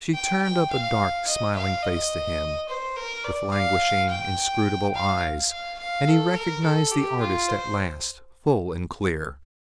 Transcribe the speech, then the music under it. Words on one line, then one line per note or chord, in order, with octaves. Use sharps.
She turned up a dark, smiling face to him, with languishing, inscrutable eyes, and he recognized the artist at last, full and clear.
G5
G5
F5
D#5
F5
D#5
C5
A#4
D5
F5
G5
F5
F5
F5
A4
A#4
A4
G4
F4
C5